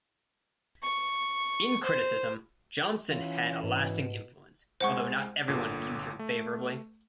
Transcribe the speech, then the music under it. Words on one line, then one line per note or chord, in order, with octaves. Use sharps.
In criticism, Johnson had a lasting influence, although not everyone viewed him favourably.
C#6
C5
E3 C#4 F4
G#2 B2
C2 G#3 C5 F#5 C#6
G1 A#2 D3
A3